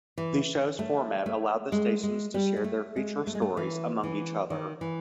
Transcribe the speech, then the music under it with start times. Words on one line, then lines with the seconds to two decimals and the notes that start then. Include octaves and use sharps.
The show's format allowed the stations to share their feature stories among each other.
0.18 E3
0.79 A3
1.26 A3
1.72 G#3
2.03 G#3
2.34 G3
2.57 G#3
2.64 A3
2.96 G#3
3.27 A3
3.35 G#3
3.42 A3
3.57 E3
4.03 E3
4.50 D#3
4.81 E3